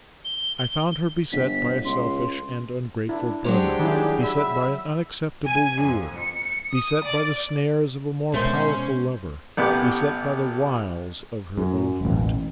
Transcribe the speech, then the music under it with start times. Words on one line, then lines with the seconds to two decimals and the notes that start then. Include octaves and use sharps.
I found her beset by a selfish and ungrateful brother, beset by an unacceptable wooer, beset by the snares of a more powerful lover, beset by the wiles of her own heart.'
0.25 G7
1.32 G1 B6
1.85 C#2 C6
3.09 D4 E4
3.44 F#3 G#3 D4 G4 C5 C#5
3.79 D#3 E4 G#4
4.24 E5 B5
5.47 G#5
5.84 F2
6.19 C#7
6.72 D#6
7.05 D5
8.34 B2 G#3 A3 C#4 A#4 C5 C6
9.57 A1 B3 G4 D6
11.58 F#2
12.01 E1 A1